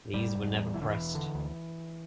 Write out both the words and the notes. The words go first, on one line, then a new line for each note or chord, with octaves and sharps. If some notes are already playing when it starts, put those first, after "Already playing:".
These were never pressed.
F1 G3
F1
E2
E1 E3
D3
E3
E1
D3
D2